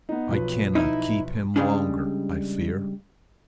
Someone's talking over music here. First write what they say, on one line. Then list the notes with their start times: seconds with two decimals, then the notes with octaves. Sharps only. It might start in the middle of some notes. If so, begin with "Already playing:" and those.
I cannot keep him longer, I fear.
0.09 B3 D#4
0.29 B1 F3 B4
0.75 D#4 E4
1.56 C#3 F3 G3 G#3 C#4 D4